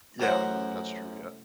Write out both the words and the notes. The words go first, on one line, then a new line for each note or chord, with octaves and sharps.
Yeah. That's true. Yeah.
A1 F#2 A#4 C5 C#5 F#5